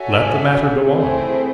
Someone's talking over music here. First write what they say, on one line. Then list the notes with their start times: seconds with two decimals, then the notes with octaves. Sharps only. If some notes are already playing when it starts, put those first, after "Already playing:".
Let the matter go on.
Already playing: F#4 A4 C#5 E5 G#5
0.85 A3 C4 E4 G#4 C5